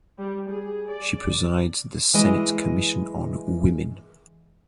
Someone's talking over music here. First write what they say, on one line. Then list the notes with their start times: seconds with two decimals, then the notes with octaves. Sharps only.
She presides the Senate commission on women.
0.18 G3
0.50 G#4
0.89 D5
2.14 E3 G#3 D#5